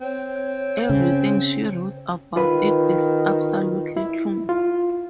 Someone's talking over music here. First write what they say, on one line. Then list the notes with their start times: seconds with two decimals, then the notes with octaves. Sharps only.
Everything she wrote about it is absolutely true.
0.01 C4 C#5
0.90 C#3
2.36 D#3 F4 B4
3.97 E4
4.49 F4